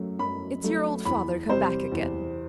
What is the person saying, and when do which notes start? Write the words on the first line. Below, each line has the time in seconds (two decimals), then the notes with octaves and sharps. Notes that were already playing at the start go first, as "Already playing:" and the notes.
It's your old father come back again.
Already playing: F#2 F#3 A3
0.19 F#2 B5
0.63 F#3 A3
1.05 E2 B5
1.49 C3 G3 C5
1.92 E2